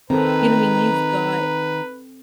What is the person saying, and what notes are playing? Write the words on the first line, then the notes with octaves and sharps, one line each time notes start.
you know, I mean, you've got,
D#3 C4 A4 B4 A#5